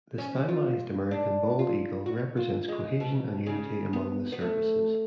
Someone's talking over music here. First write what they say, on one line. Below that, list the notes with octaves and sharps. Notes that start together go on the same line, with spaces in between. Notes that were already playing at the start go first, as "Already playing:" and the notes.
The stylized American bald eagle represents cohesion and unity among the services.
C#4
F4
D4
F4
F#4
F4
G#3
B2
C#3
B3
B3
A3